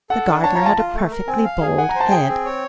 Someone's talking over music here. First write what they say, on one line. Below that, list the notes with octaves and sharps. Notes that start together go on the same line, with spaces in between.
The gardener had a perfectly bald head.
A4 F#5
D4
C#5 A5
A#5
F4
A5
F4
A3
A#4
C4 G#5
F5
G#4
F#5 G#5
A#5
C5
A5
G#5
G#4 G5
C4
C#5